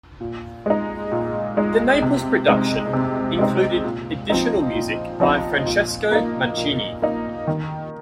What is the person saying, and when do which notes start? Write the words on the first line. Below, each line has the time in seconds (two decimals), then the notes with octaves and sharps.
The Naples production included additional music by Francesco Mancini.
0.21 A#2
0.66 G#3 D#4
1.12 A#2
1.57 G#3 D#4
2.02 C3
2.48 G#3 C4 D#4
2.93 C3
3.39 G#3 C4 D#4
3.84 A#2
4.30 F3 C4 D#4
4.75 A#2
5.20 F3 C4 D#4
5.66 A#2
6.11 A#3 D#4
6.57 A#2
7.02 A#3 D#4
7.47 D#3